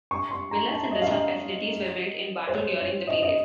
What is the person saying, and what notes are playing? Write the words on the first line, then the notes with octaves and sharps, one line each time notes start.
Villas and resort facilities were built in Batu during the period.
C#6
C6
A#5
A5
D#5
F5
D#5
C5
C#5
C#5
D#5
D#5